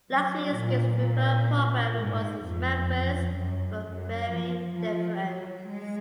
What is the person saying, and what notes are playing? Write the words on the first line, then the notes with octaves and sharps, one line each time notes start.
Luxury Escapes Referral Program rewards its members for referring their friends.
F#3
A#2
G#2
F2
F#2
F#2
F3
F3
F#3
G#3